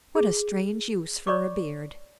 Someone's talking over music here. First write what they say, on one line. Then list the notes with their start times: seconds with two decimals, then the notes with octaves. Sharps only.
What a strange use for a "beard"!
0.15 G#4
1.27 C#5 D5 B5 C#6 D6